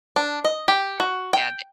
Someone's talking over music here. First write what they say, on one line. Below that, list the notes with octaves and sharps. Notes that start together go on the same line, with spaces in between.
Yea, they
D4
D#5
G4
F#4
G5